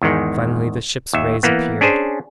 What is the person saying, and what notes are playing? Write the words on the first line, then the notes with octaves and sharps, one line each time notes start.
Finally the ship's rays appeared.
E2 G#2 D#3
D#2 E5
E3 A#3 B3
C#4 D4 G#4 C5